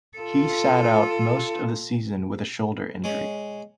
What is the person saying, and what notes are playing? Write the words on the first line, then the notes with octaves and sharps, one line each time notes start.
He sat out most of the season with a shoulder injury.
F4 A4
G#3 C#5